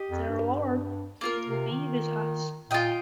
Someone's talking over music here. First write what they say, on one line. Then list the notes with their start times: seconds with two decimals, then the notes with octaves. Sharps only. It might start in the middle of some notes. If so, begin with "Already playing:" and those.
The Lord will be with us.
Already playing: G4 D#5
0.11 F2
0.29 G2
1.21 A#3 F4 A#4
1.47 C3
1.71 D#3
2.71 A#2 F4 D#5 G5